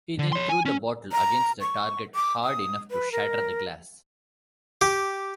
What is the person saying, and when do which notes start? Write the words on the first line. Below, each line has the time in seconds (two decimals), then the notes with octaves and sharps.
He then threw the bottle against the target hard enough to shatter the glass.
0.18 D3
0.33 C#5 C6
0.49 G#5
0.65 C#4
1.12 A#5
1.61 C#6
2.15 D6
2.44 D#6
2.91 B4
3.12 A#4
4.81 G4